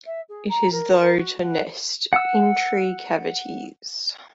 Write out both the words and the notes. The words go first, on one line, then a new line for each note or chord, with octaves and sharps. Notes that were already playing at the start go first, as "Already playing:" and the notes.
It is though to nest in tree cavities.
E5
G#4
A#5
A#4
A#4
F#4
F#5
F#5 E6